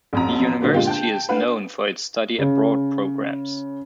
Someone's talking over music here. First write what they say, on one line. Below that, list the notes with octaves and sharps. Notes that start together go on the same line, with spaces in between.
The University is known for its study abroad programs.
A1 F2 A#5
A#2 D3 F#3 A#3 B3
A#2 G#3 D4 F4 G4
G5 A5 G6
D4 B4 F5 F#5
C#3